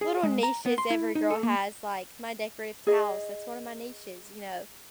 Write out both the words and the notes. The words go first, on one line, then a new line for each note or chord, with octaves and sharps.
little niches every girl has, like my decorative towels, that's one of my niches, you know?
G#4
G#3
A#5
B3
C6
E4
D#4
A4
A#3
G#4 D#5